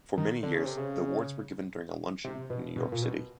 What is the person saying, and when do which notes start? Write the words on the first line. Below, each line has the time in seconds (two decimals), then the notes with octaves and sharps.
For many years, the awards were given during a luncheon in New York City.
0.17 D#3
0.43 D3
0.55 C#3
0.65 C3
0.77 C#3
2.24 C3
2.50 B2
2.76 B2
2.92 A#2
3.02 B2